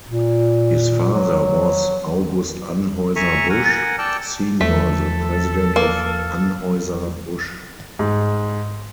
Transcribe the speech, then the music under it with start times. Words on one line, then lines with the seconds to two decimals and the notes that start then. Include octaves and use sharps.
His father was August Anheuser Busch Senior the President of Anheuser-Busch.
0.08 A#2
1.14 F#3
3.16 E5 G#5 A#5 C#6
3.50 A#4 F#5 G#5
3.98 D5 G5 A5 E6
4.61 E2 F3 A3 A4 B6
5.76 A#3
7.99 G#2